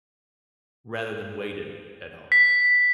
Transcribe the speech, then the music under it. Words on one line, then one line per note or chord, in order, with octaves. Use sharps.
rather than waited at home?
B6